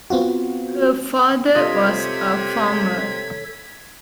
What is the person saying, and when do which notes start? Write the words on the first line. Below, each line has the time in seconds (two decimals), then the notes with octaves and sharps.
Her father was a farmer.
0.10 B3 C4 F4 F#4
1.55 C3 F4 A4 C#5 D#5 G#6 B6